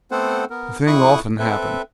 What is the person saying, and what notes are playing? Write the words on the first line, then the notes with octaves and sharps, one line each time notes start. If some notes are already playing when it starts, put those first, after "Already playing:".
The thing often happened.
A3 B3 C4 A4 C5 F#5
B3 A#4
F2 E4 C#6 D#6 F#6
C4 A4 B4 E5